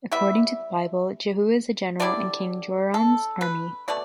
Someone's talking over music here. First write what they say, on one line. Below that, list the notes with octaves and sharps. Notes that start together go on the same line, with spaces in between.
According to the Bible, Jéhu is a general in King Joram’s army.
G3 B3 E4 E5
D3 G3 E4 D5
A4
B4
B2 A3 D5